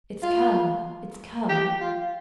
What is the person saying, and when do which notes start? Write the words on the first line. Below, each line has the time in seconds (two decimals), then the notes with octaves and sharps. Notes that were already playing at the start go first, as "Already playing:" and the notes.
It's come--it's come!
0.23 F4
1.49 G4
1.81 F4